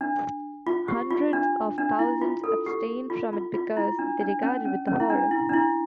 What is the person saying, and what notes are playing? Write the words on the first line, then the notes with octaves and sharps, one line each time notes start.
Hundreds of thousands abstain from it because they regard it with horror.
D4
F4
G4
F4
D4
D4
E4
F4
A4
G4
F4
F4
F4
E4
D4
D4
C#4
C#4
C#4
E4
D4
E4
D4
E4